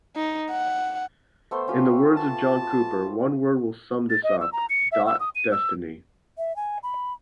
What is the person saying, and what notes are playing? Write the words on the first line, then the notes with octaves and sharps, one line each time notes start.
In the words of John Cooper, One word will sum this up.. dot destiny.
D#4
F#5
A3 B3 C5
C#4 F4 G4
A5
A6
D#5
E6
A#5
C#7
E5
E6
D#6
D#7
E6
E5
G#5
B5